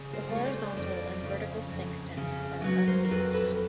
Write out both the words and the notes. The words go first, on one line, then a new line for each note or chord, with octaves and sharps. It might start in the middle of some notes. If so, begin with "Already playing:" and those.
The horizontal and vertical sync pins are unused.
Already playing: C#3
A#4 C5
A3
C#5
C5 D5
F2 C5 D5
C#3
F2
C#3
F#3 B4 C#5
B4
A#4 C5
A#4
F2 A4 B4
A4 B4